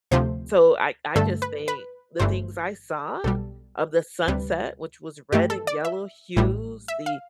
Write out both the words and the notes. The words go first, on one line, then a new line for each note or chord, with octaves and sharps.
So I I just think the things I saw of the sunset, which was red and yellow hues, the
D2 C3 F3 A3 C5
G2 D3 A3 A4
B4
B4
G1 G2 E3 A3 C5
B1 B2 G3 A4
D2 C3 G3 B4
G2 E3 A3 G4
A4
D5
E5
A1 A2 G3
E5
F5